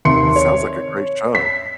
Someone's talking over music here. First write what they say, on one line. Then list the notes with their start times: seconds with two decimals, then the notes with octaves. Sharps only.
It sounds like a great show.
0.05 D#2 C3 C6 C#7
0.36 C#5
1.35 B6